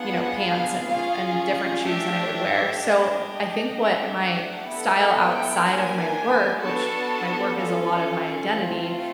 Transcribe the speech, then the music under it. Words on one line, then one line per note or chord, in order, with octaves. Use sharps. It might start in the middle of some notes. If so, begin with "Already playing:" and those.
you know, pants and and different shoes than I would wear. So I think what my style outside of my work, which my work is a lot of my identity,
Already playing: B3 D4 F4 G#4 F#5
F5
C#4 F4 G#4 F5
A3 D4 G4 E5
D4 G4 D#5
A3 D4 G4
F#5
B3 E4 A4
G5
A#3 D4 G4 G#5
B3 D4 F#4 A4 A5
C#4 F4 A4
A3 C4 F4